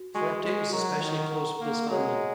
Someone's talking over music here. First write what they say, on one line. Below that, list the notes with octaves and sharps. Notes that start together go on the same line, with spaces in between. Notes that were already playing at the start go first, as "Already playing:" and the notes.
Forte is especially close with his family.
Already playing: F#4
G#3 F#4 D#5 G#5 C#6
G#3
F#3 A#4 F#5 A#5 C#6
D#3
A#4 F#5 A#5 C#6
A#3
G#3 F#4 A#4 C#5 F#5 A#5